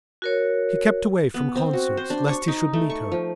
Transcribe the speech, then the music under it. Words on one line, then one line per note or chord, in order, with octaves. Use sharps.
He kept away from concerts lest he should meet her.
F#4 A#4 C#5
B3
C4
F#4
C5
D4
C#6
D#4
A3
C#6
F3